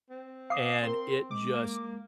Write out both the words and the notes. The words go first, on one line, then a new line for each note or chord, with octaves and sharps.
and it just
C4
F5 D6 D#6 C7
C4 A#4 C6
G#3 D6
A#3